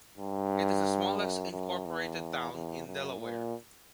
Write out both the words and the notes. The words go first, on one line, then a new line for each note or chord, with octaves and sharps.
It is the smallest incorporated town in Delaware.
G2
F#2
F#2
E2
E2
F#2
A#2